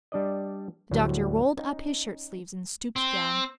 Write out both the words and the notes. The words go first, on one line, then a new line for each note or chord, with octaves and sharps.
The doctor rolled up his shirt sleeves and stooped down.
G3 D4 D5 D#5
D2 A2 F#3 G3
C#4 D#4
C4